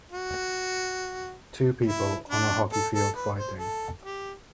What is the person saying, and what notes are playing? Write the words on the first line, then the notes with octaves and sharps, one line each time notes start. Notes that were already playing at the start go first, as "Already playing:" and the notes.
Two people on a hockey field fighting.
F#4
E4
D4
A4
A4
B4
C5
A4
G4